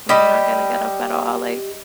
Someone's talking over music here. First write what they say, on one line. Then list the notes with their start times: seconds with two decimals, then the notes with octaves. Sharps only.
I'm not gonna get up at all, like,
0.09 G3 G4 D#5 B5